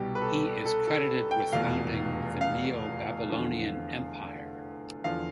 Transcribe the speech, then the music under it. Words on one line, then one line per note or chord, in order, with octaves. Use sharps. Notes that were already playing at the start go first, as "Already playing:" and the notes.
He is credited with founding the Neo-Babylonian Empire.
Already playing: C2 B2 G3 G4
B4
A4
A4
A4
G5
F1 E2 B2 F5
F5
E2 D3 F3
E2 D3 F3 F5